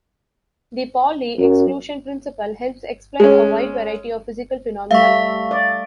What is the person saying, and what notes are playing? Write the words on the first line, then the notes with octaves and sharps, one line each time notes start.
The Pauli exclusion principle helps explain a wide variety of physical phenomena.
F#2
G#3 C#4
G3 A3 E5 F5 C#6
D5